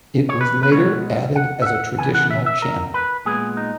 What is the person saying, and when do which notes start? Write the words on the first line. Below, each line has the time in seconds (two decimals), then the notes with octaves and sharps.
It was later added as a traditional channel.
0.29 C#5
0.41 B4
0.63 B4
0.72 B2 G#3 B3 C#5
1.35 F#5
1.62 E5
1.66 F#5
1.98 C#3 E3 B3 G#5
2.15 F#5
2.30 E5
2.46 E5
2.62 A#4
2.94 B4
3.25 A#2 G#3 B3 G#4
3.57 D#4